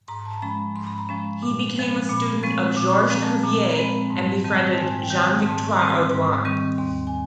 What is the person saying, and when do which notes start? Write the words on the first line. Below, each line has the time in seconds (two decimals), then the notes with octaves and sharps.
He became a student of Georges Cuvier and befriended Jean Victoire Audouin.
0.08 G#2 A#5
0.25 A5
0.33 A#5
0.42 F3 G#3 C#4 B5
0.76 G#2 C6
0.87 B5
0.98 A#5
1.09 F3 G#3 C#4 B5
1.43 A#2
1.76 F3 G#3 C4
2.09 A#2 B5
2.43 F3 G#3 C4 C#6
2.76 A#2 D6
2.90 C#6
2.99 D6
3.10 F3 G#3 C4 A#5
3.21 A5
3.43 A#2 A#5
3.73 A#5
3.77 F3 G#3 C4 B5
4.10 G#2 A5
4.44 D#3 G3 C4 A5
4.73 A5
4.78 G#2 G#5
4.91 G#5
5.00 G5
5.11 D#3 G3 C4 G5
5.22 G#5
5.44 G#2 A5
5.66 C#6
5.78 D#3 G3 C4
5.89 C6
6.11 G#2 C6
6.45 D#3 G3 C4 C#6
6.78 D#2 C6
7.07 G#5